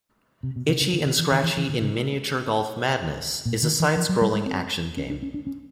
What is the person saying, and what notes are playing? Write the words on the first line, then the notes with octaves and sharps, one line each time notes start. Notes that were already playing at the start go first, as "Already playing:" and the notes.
"Itchy and Scratchy in Miniature Golf Madness" is a side-scrolling action game.
C3
B2
C3
C#3
D3
D#3
E3
D#3
E3
E3
D3
C#3
A#2
D#3
E3
F3
F#3
G3
G#3
C4
C#4
D4
C#4
D4
C#4